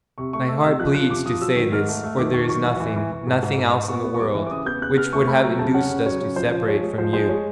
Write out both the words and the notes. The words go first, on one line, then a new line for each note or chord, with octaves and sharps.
My heart bleeds to say this, for there is nothing--nothing else in the world--which would have induced us to separate from you.'
C3 C#6
A3 C#6
A3 E6
C3 E6
F3 F#6
F3 F#6
C3 D6
F3 D#6
F#3 E6
D#3
G#2 F6
A3
A3
D#3 D6
D#3 C#6
F#3 C#6
E3
E3
E3
E3
G#2
G#2
G#2
G#2
B3 C#6
B3
C#6
G3 D6
E3
D6
C#3 D#6
B3 G6
C#3 F#6
B3 F6
A3 C#6
A3 B5
F#3 A#5
C#3 A5
C#4 F#5
C#3
F#3 C#5
C#3
F3 C5
F3
G#3 C#5
G#3
F3 C5
G#3 C5
G#3 C#5